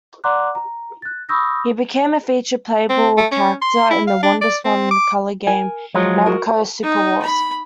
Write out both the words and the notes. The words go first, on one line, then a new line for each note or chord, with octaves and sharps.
He became a featured playable character in the Wonderswan Color game "Namco Super Wars".
D5 F#5 A#5 C6 D6 F#6
A#5
F#6 A6
B5 C#6 D#6 E6 G6 A#6
C4
A3
C#4
C6
E4
F5
D4
D5
C4
D6
A#4 G#5
F3 F#3 G#3 C#5
F#4 A#4
D#4
B5